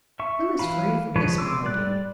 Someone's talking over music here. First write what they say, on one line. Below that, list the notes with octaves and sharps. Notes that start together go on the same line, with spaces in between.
Who is free from this malady?
E5 C#6
E3 F5 B5
F3 G#3 B4 C#5
C6 D6 E6
G3 D5 F#6